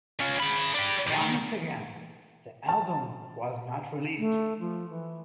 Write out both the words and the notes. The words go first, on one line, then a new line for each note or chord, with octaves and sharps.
Once again, the album was not released.
C#4 F4
G#4 B5
D4 G4
D#2 D#3
A5
A3
F3
E3